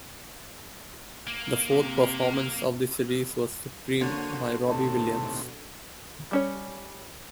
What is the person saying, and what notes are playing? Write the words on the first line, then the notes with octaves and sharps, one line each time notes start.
The fourth performance of the series was "Supreme" by Robbie Williams.
A#3
C3
D3 A#3 F#4 C5 C#5 D#7
B2
D#2 A2 C3 A5
G3 C#4 C#5